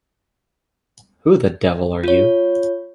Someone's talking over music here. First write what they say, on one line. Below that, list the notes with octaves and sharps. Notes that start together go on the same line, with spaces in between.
Who the devil are you?
F4 C#5